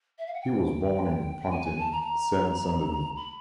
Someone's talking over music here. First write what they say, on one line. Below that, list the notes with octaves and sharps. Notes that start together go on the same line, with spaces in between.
He was born in Pantin, Seine-Saint-Denis.
E5
F5
F#5
G5
G5
G#5
G#5
A5
A#5
A5
A#5
B5